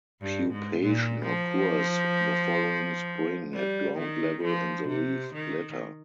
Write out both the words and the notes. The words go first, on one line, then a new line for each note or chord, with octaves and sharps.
Pupation occurs the following spring at ground level in the leaf litter.
G2
G#2
A#2
F3
G3
D#3
F3
C3
D#3